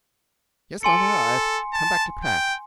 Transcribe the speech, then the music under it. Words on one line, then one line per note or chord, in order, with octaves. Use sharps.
'Yes, mother; I've come back to pack.
A4 G#5 C6 C#7
A5
G5